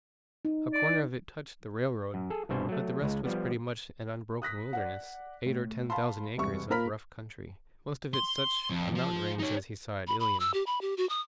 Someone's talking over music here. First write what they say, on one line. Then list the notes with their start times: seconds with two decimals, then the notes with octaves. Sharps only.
A corner of it touched the railroad, but the rest was pretty much an unbroken wilderness, eight or ten thousand acres of rough country, most of it such a mountain range as he saw at Ilium.
0.45 D#4
0.73 D5
2.14 F#2
2.30 G#4 A4
2.49 C2 G2 B2 C5 G#5
2.69 F#3 A3
3.01 C#2 G#3
3.25 F3 G3 B3
4.42 D#6 F#6 A#6 B6
4.73 D5 F#5
5.46 A2
5.90 F5 A5 B5 C6
6.37 E1 C2 C#6
6.70 A#2 F4 A#4 B5 F6 B6
8.14 C6
8.70 F2
8.95 F3
9.39 D#4 C#5
10.07 B5
10.20 B5
10.40 E6
10.54 G4
10.66 B5
10.81 G4
10.97 F#4
11.09 D#6